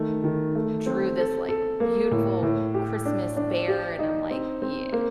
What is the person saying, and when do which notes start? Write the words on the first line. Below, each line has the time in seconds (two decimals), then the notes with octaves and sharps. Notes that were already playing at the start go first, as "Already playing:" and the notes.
drew this, like, beautiful Christmas bear, and I'm like, "Yeah."
Already playing: D#3 A3
0.24 D#3
0.55 A3
0.86 C4
1.18 A4
1.49 A4
1.80 A#3
2.11 A2
2.43 A2
2.74 G4
3.06 D4
3.37 D4
3.68 G4
3.99 D#4
4.30 C4
4.62 C4
4.93 A#3